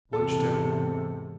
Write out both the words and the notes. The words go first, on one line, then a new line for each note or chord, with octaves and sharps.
Lunch Temp.
E2 G#2 C3 A4